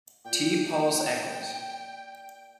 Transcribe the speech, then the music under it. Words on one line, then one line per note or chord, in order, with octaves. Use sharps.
T. Paul's Eccles.
A#2 G5